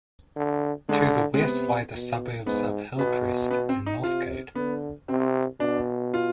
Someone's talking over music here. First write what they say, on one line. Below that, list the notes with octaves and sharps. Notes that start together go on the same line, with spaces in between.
To the west lie the suburbs of Hillcrest and Northcote.
D3
D3 G#3
G#3
C3 B3
B2
G#2 B3
B2 B3
B3
C4
D#4
C3 F4
D3 B3
C3 C4
B2 D4
F4